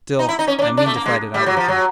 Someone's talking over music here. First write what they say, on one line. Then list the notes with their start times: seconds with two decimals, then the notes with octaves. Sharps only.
Still I mean to fight it out with you.
0.19 D#4
0.29 E4
0.39 D#4
0.47 C#4
0.59 C#4
0.62 D4
0.77 D4
0.86 A3
0.96 A#3
1.06 G#3
1.34 G3
1.46 F#3
1.57 F3
1.68 F#3